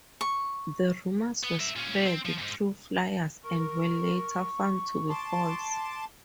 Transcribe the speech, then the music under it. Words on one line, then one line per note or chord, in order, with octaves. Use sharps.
The rumors were spread through flyers and were later found to be false.
C#6
B3
A#4 E5
A#2 C#4
C4
F3
E2 G#2
A#4 C#6
A5 C6 D6